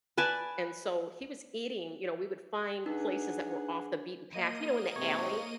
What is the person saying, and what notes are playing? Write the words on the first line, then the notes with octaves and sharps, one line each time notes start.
And so he was eating you know, we would find places that were off the beaten path, you know, in the alley?
B4 D5 G#5 A5
D4 D#4 G#4 B4 F#5
A#3 D#5 D#7
G#2 C3 C#5